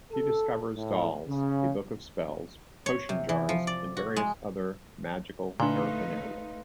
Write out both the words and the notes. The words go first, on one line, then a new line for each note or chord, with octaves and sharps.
She discovers dolls, a book of spells, potion jars, and various other magical paraphernalia.
A4
A2
C#3
C#5
C3
E3
F3
D5
F#4
G#3
A#2 D3 A3 D4 D#4 B4 F5 C6